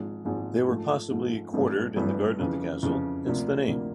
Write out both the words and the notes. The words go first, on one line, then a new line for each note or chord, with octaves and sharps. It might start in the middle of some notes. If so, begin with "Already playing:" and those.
They were possibly quartered in the garden of the castle, hence the name.
Already playing: G#1 G#2 F3 G#3
G#1 G#2 F3 G#3
G#2 F3 A3
G#2 F3 A3
G#1 G2 E3 A3
G#1 G2 E3 A3
F2 C#3 E3
F2 C#3 E3
D2 C3 F3 A#3
D2 C3 F3 A#3